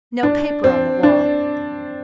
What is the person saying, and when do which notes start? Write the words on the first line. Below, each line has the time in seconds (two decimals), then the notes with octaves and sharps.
No paper on the wall!
0.23 D4
0.64 C4
1.03 D4